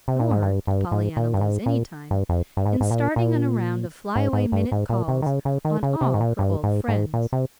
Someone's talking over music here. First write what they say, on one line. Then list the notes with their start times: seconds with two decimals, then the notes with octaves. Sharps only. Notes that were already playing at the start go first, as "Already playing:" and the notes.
Nor did Pollyanna lose any time in starting on a round of fly-away minute calls on all her old friends.
0.08 C3
0.19 A#2
0.31 G#2
0.42 G2
0.67 G2
0.91 G#2
1.17 A#2
1.34 G2
1.41 G#2
1.66 A#2
2.11 G2
2.29 F2
2.57 G2
2.66 G#2
2.80 G#2
2.91 A#2
3.16 A#2
4.16 G#2
4.33 G#2
4.52 G2
4.72 G#2
4.89 A#2
5.08 C3
5.22 D#3
5.26 C#3
5.45 C#3
5.65 D#3
5.83 C#3
6.01 C3
6.14 G#2
6.20 A#2
6.39 G2
6.63 G#2
6.88 G#2
7.14 A#2
7.33 C3